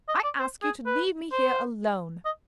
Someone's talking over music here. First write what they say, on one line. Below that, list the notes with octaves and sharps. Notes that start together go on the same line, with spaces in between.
I ask you to leave me here alone.
D#5
D5
C5
G#4
B4
C5
D#5